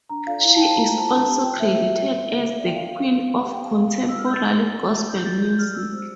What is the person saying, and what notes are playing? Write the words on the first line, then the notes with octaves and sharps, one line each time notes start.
She is also credited as the Queen of Contemporary Gospel Music.
D4 A#5
F4 A4 D5 F5
E4 F5
A5
G4 C5 G5
F4 A#5
A#5
C5
A5
D4
G4 C5
F4 G5
C5 E5
F4 E5
C5
G4
C5
G4
D5
G5
D4 F5
A4 C5
F4
C5
G4 F5
G5
C5 F5
G4
C5
E4 E6
F6
A4 D5 G6 A6
G4
D5
D4
A4 C5
E4 G6
A#4 D5 A6
G4 G6
D5 F6
G4 E6
C5